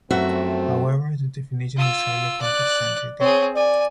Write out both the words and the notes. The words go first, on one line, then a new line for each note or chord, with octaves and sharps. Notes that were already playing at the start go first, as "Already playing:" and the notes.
However, the definition is highly context-sensitive.
F#2 F3 A3 C4 F#4 E5
F4 E6
D5 F#6
C4 G#4 C#5
D5 G#5